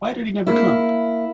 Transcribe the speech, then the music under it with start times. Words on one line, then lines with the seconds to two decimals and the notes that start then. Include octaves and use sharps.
Why did he never come?
0.47 A#3 E4